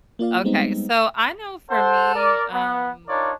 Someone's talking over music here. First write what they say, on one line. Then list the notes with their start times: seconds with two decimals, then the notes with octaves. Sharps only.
Okay, so I know for me, um,
0.19 A#3 F4 D5 F5
0.44 G3 G#3 B3 C4 D#4
1.70 A4 C5 F#5
2.16 A#4 D5
2.52 B3
3.08 D4 D#4 F4 A#4 C#5 D5